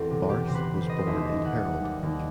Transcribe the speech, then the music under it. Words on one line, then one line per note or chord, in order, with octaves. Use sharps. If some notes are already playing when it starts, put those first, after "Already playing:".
Barth was born in Herold.
Already playing: E2 C4 A4
C3
C3 G4
C3 C5
B4
C3
C5
C3 D#5
C5
D#2 E5
D#4
D#3 F#5
G3
G3
D#2